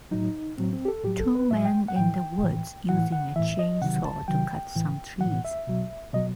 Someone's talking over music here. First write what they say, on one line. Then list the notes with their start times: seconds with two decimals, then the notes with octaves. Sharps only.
Two men in the woods using a chainsaw to cut some trees.
0.11 A2 F#3 D#4
0.58 A2 F#3 C4
0.73 C4
0.85 G4
0.88 A4
1.04 A2 F#3 G4
1.20 A4
1.35 B4
1.50 A2 F#3 E5
1.65 G5
1.88 F#5
1.96 A2 E3 G5
2.43 A2 E3
2.89 A2 E3 F#5
3.12 F#5
3.36 A2 E3 E5
3.59 D#5
3.81 C3 D#3 F#3 F#5
4.05 A5
4.28 C3 D#3 F#3 G5
4.75 A2 E3
5.21 A2 E3 F#5
5.45 E5
5.67 B2 F#3
6.14 B2 F#3 D#5